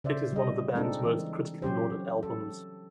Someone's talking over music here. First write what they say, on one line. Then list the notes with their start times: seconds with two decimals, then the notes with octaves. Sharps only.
It is one of the band's most critically lauded albums.
0.04 C#3 C5 D5 E5
0.33 G3 D#5
0.75 G#3 C4 D4 D#4 A4
1.05 E3
1.62 F#3 C#4 G4 C5
2.23 A4